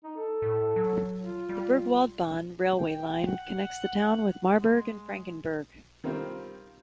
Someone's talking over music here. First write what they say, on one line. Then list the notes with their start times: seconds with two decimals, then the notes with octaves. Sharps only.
The "Burgwaldbahn" railway line connects the town with Marburg and Frankenberg.
0.04 D#4
0.17 A4
0.42 A2
0.76 F#3
1.23 F4
1.49 G3
2.78 G5
3.27 F#5
4.60 G#3
6.04 D#3 G3 C4 F4